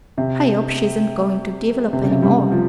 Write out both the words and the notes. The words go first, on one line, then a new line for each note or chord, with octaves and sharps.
"I hope she isn't going to develop any more!"
C3
C3
C#3
C3
G3
F3